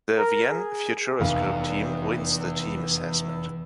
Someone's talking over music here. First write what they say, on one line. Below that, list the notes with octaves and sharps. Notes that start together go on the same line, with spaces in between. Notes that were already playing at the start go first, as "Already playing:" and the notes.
The Vienne Futuroscope team wins the team assessment.
A#4
G#4
F1 E2 F5